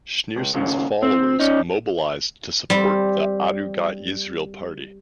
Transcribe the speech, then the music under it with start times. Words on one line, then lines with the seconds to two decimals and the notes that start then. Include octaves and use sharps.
Schneerson's followers mobilized to support the Agudat Yisrael party.
0.36 C#2
0.54 D#2 G#2 C#3
1.03 C4
1.40 C#4 D#4
2.70 G3 C4